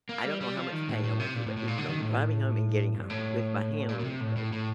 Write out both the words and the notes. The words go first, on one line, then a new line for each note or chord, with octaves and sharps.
I don't know how much pain I went through, but even though, I'm driving home and getting home, 'cause my hand literally froze.
A#3
G3
G3
F3
D#3
A2
A2
C3
A#2
A2
A2
A#2
D3
D#3
A2
G2
A2
A#2
A#2
C3
A2
A2
A2